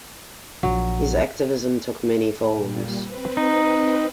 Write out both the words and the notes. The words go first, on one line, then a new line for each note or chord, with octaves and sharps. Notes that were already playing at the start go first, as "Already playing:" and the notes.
His activism took many forms.
A#1 F#3
A#2 G3
C4 B4
D#4